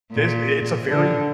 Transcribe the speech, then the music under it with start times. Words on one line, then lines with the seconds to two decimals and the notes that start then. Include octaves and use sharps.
this it's a very
0.13 A#2
0.89 D3